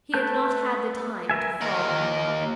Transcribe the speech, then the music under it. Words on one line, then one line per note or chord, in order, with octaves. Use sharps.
He had not had the time to fall in love.
A3 B4 A5 G6
A#4 B4 E5 G#5
D#2 A#4